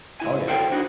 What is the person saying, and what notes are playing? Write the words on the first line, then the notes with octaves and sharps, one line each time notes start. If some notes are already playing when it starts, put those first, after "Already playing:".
Oh, yeah.
C#2 E4 G#5
F#4 A4 A#4 C5 F5 G5
D4 D#4 F#4